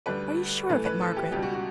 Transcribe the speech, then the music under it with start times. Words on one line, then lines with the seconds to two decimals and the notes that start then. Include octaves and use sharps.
Are you sure of it, Margaret?'
0.06 D2 D3 G3 B4
0.69 A2 E3 A3 B4
0.85 B4
1.01 A4
1.17 G4
1.32 C#2 B2 G3 G4
1.42 F#4
1.53 F#4